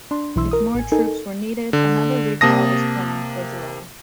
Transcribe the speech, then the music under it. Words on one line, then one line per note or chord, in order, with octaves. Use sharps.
If more troops were needed, another recall was planned for July.
D4 C6
B1 E3 E4 C6 E6
A#4 D#6
A1 G#5
D#4 A4 A#4 G#5
D3
C3 A#3 A5 D#6 A#6